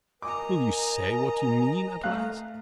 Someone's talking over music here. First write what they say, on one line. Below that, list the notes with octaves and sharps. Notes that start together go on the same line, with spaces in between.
"Will you say what you mean at last?"
A#4 D#5 G#5 A#5 D6
A3 F5 F#6